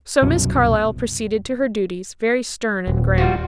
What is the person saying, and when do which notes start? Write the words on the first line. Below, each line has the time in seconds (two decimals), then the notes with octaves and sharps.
So Miss Carlyle proceeded to her duties, very stern and grim.
0.22 C2 F#2 B2
2.87 D#1
3.18 G3 F4 F#4